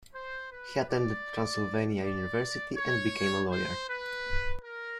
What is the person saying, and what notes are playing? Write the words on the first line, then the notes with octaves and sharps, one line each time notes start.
He attended Transylvania University and became a lawyer.
C5
B4
D5
D5
C#5
C5
B4
A#4